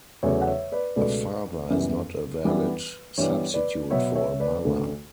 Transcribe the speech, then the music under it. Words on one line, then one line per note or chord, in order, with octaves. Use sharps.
A father is not a valid substitute for a mother.
E2 C#3 F#3 A3 C#5 E5
F#5
C#5 E5
B4 D5
C#2 B2 A3 B4 D5
F#2 E3 G3 B3
G2 E3 G3 B3
G2 E3 G3 B3 C#5
B4 D5
B2 F#3 B3 C#5 E5
C#5 E5
B4 D5
D2 D3 A3